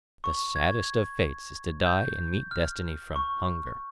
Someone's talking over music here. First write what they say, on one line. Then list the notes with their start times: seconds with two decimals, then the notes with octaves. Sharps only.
'The saddest of fates is to die and meet destiny from hunger?'
0.24 C#6
0.56 G#6
1.86 G6
2.51 F6
3.16 C#6